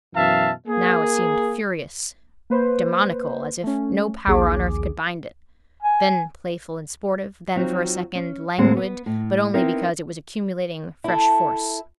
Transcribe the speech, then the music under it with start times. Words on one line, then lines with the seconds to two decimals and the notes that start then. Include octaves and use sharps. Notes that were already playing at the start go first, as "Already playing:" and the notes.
Now it seemed furious, demoniacal, as if no power on earth could bind it, then playful and sportive; then for a second languid, but only because it was accumulating fresh force.
0.15 F#2 B2 E3 E5 F5 A5
0.68 A#3 G#4
2.50 A#3 B4 C5
3.63 A3 C#4
4.27 A#1 D#2 G#4 D6
5.83 G#5
7.56 F#3 C4 D#4 F4 F#4
8.15 C#4
8.58 D#2 A2 G#3 A#3 C4 F#5
8.77 B3
9.06 A2
9.54 B3 C4 D#4 E4 A#4
11.04 E4 A4